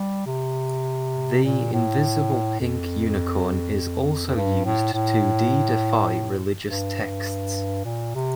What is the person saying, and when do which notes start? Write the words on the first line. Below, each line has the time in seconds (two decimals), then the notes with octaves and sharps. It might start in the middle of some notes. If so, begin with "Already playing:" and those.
The Invisible Pink Unicorn is also used to de-deify religious texts.
Already playing: G3
0.26 C3
1.44 A#2
1.73 A2
2.60 F2
4.26 F2
4.36 G2
4.65 A2
4.93 A2
6.69 G2
7.85 A#2
8.15 C3